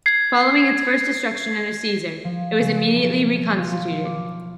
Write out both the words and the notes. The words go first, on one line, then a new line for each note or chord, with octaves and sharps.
Following its first destruction under Caesar it was immediately reconstituted.
G#6 C7
F3
C#3
B1
F4
D6